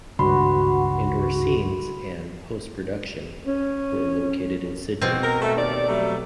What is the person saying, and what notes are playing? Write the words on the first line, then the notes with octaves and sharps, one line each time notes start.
Indoor scenes and post-production were located in Sydney.
G#1 C#2 G2 F#4 B5 C6
C#4
B2 C4
A#4
A3
D#2 D5
F#3 G3 A3